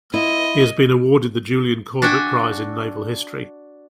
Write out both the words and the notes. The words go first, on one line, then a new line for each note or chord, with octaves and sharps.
He has been awarded the Julian Corbett Prize in Naval History.
E4 F4 D#5
D4 F#4 E5 G5 G#5